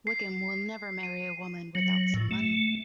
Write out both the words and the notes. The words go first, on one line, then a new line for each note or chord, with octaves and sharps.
Wickham will never marry a woman without some money.
C7
D#7
F#3
A2
A3